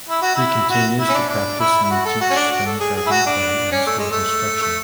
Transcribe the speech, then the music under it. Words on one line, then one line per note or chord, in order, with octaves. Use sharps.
He continues to practice and teach stone carving, clay, and steel construction.
E4
F#4
E4
F#4
E4
C#4
D4
D4
E4
E4
F#4
A4
F#4
C#4
D4
F#4
A4
G#4
G#4
E4
F#4
D4
C#4
A3
G#3
A3
A3